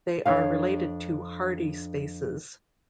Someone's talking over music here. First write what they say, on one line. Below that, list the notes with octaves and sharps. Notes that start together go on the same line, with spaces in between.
They are related to Hardy spaces.
F2 D4 C#5 F5